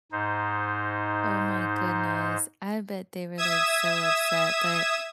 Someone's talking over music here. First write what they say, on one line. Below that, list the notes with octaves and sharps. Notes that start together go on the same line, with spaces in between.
Oh my goodness. I bet they were, like, so upset, but,
G#2 D#4 C5
E5 D#6 G#6 E7